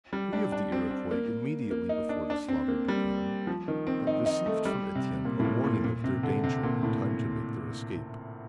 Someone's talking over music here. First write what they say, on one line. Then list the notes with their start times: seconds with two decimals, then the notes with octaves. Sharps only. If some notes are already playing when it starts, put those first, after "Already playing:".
Three of the Iroquois, immediately before the slaughter began, had received from Etienne a warning of their danger in time to make their escape.
0.13 G3
0.33 D4
0.52 D4
0.72 C4
0.91 C4
1.11 A#3
1.71 A#3
1.89 D#4
2.09 D4
2.30 D4
2.48 C4
2.68 A#3
2.88 G3
3.47 F3
3.68 D#3
3.87 C4
4.07 D#4
4.26 D#4
4.46 A3
4.65 G3
4.95 C3
5.25 A#2
5.40 A2
5.45 A#2
5.64 A#2
5.84 A#2
6.04 C3
6.23 D3
6.43 C3
6.63 A#2
6.83 A2